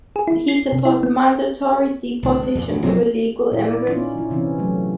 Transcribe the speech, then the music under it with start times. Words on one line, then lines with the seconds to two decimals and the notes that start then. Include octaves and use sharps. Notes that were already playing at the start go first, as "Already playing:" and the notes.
He supports mandatory deportation of illegal immigrants.
0.16 G#4
0.27 E4
0.48 C7
0.73 C3
0.85 E4
1.03 B3
2.23 C2 A2 D3 D4
2.43 G#3
2.55 E2 G2 A#2
2.69 D2 C#3
2.83 E1 F2 B2 F#3 C4
3.52 A#2 E4
3.65 D5
3.89 C#4 D#4 F4
4.18 E4
4.30 C3 E3 C4 C#4
4.59 F#3 A3